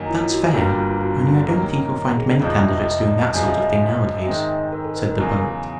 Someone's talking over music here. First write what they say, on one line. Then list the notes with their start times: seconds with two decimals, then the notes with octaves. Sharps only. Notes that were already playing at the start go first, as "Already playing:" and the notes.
"That's fair, only I don't think you'll find many candidates doing that sort of thing nowadays," said the Poet.
Already playing: F#2 D#3 F#3 A#3
0.08 E4
0.20 F4
0.32 F#4
0.43 G4
0.54 G1 G2 D3 G3 A#3 F#4
0.78 F4
1.01 F#4
1.47 D#2 D#3 F#3 A#3 C#4 G4
2.06 G4
2.17 G#4
2.29 D5
2.40 F1 F2 C3 F3 D#5
2.52 D#5
2.64 E5
2.76 D#5
2.87 D#5
3.10 D5
3.33 F#2 C#3 F3 G#3 D#5
3.45 E5
3.57 D#5
3.68 D#5
3.80 D#5
4.20 E5
4.26 G#2 D#3 G#3 C4 D#5
4.72 A#4
4.84 A4
4.96 B4
5.08 A#4
5.19 E2 C#3 F#3